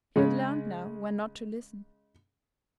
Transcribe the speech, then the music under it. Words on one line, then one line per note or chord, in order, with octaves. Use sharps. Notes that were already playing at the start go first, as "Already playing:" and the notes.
She had learned now when not to listen.
C#3 G#3